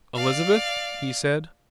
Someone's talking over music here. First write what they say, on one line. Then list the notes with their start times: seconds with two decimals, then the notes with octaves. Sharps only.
"Elizabeth?" he said.
0.15 D5 F5